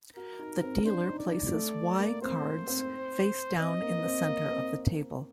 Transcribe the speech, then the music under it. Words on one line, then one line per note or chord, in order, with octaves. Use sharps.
The dealer places Y cards face down in the center of the table.
F#4 A#4
D#4
C4
D4 C5
D#4
D5
A3
A#3
C4 C5
C4
C4 D#5
A#3
C4
A#3
C4